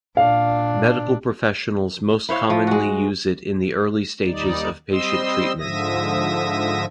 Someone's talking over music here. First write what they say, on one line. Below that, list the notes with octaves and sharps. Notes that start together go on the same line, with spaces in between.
Medical professionals most commonly use it in the early stages of patient treatment.
A#2 D4 F5
E4 C5 C#5 F5
F3
G#3 F#4
D#2 G3 D#4 D5
G3 C4 D#5 C6 E6
G#2 D3 F3 E5 D#6 A#6